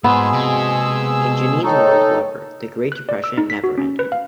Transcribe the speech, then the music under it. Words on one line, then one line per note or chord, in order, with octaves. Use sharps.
In Jeannine's world, however, the Great Depression never ended.
G#2 B2 F3 G#3 A#3 B3 G#4 E6
C3
D#4 A4 A#4 C#5 G5
F#6
D5
E6
D#4
B6
F#4
C#4
B4
F5